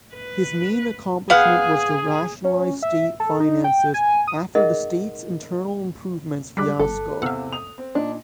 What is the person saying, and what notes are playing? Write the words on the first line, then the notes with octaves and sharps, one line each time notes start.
His main accomplishment was to rationalize state finances after the state's internal improvements fiasco.
B4
B3 G#4 F5 F#5
C#4
E5
A4
D#4
G5
G#5
D#6
D#4 G#4 A#4 D#5 E5 F#5
G3 G#3 D6 F#6 B6
G1 A4
E2 C3 F5 F#5 E6
D#6 F7
C4
A#2 D4 D#4